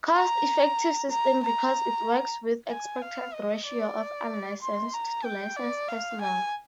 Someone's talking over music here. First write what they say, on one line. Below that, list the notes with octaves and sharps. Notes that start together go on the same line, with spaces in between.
Cost-effective system because it works with expected ratio of unlicensed to licensed personnel.
A#5
A#5
A#5
G#5
F5
D#5
D5
C6
A#5
G5
D5
F5
G#5